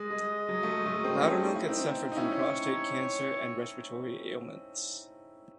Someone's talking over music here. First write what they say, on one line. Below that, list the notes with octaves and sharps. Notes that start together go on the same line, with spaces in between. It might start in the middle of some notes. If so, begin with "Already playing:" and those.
Loudermilk had suffered from prostate cancer and respiratory ailments.
Already playing: G#3 D#5
G#3
F#3
A3
G#3
F#3 A3
G#3 C4
A3 C#4
D#4
E4
C4 D#4
D#4
C#4 E4 C#5